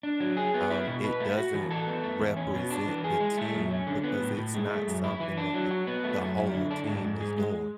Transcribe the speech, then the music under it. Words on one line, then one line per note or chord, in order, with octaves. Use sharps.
Um, it doesn't represent the team because it's not something that th the whole team is doing.
D4
F#3
G#4
B3
E4
B2
B4
A3
F#4
E3
A4
B3
A3
E2
C#4
B2
D4
E3
G#4
G#3
A3
F#2
C#4
D3
B3
A2
A2
G#3
A3
F#2
E4
E3
D4
F#3
F#4
B3
A3
F#2
E4
D3
D4
G#2
G#2
G#3
G#3